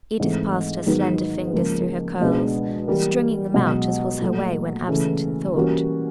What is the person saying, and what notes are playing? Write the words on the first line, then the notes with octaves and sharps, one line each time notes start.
Edith passed her slender fingers through her curls, stringing them out as was her way when absent in thought.
G#2 E3 A3 C4
G#2 D#3 F#3 B3
C#2 C#3 F3 A#3
C#2 B2 G#3 B3 D4
E3 G3 A#3
C#2 B2 F#3
A#2 F#3 A3
C#3 E3 A3
E3 G3 A#3 C#4 F#4